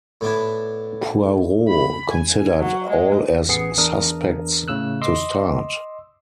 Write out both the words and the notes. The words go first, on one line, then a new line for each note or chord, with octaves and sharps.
Poirot considered all as suspects to start.
A2 B3 D4 E4
B5
G#5
F#3
G#3
A1 B3 G#4 C7 C#7
E2 D4 A#4 D#6
A2 C#3 E6 F#6
D#5 C6 D6 E6